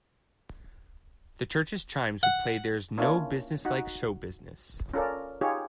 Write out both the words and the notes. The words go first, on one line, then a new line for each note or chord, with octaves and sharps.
The church's chimes would play There's No Business Like Show Business.
F#5
A#3 C#4 D4 E4 F4 C#5
D#4 F#4 F#5
C#4 F4 A4 A#4 D5
D#4 F4 G4 G#4 C#5